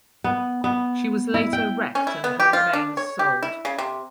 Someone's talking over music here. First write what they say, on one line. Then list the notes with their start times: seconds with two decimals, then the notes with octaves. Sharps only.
She was later wrecked and her remains sold.
0.24 B3
0.64 B3
1.34 E4
1.53 G5
1.95 C#4
2.07 E4
2.24 B3
2.40 G4
2.53 F4
2.73 D4
2.97 C#5
3.19 G4
3.43 E4
3.65 C#3
3.78 C3